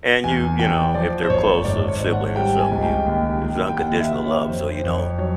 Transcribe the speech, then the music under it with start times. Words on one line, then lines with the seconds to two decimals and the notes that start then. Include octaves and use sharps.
and you you know, if they're close, a sibling or something, you there's unconditional love, so you don't
0.24 E2 G#5
0.59 E2 G5
0.94 F3 D5
1.24 C5
1.29 F#1 C#5
1.65 G#1 D5
1.88 C#5
2.00 G#1
2.12 F#5
2.36 G3 G5
2.59 G#5
2.72 C#2
2.82 G5
3.06 D#2
3.43 D#2
3.67 G5
3.78 D#2 F#5
4.01 E5
4.13 D#2
4.24 C#5
4.48 F2 C5
4.71 C5
4.84 F2
4.95 C#5
5.18 F#3 C#5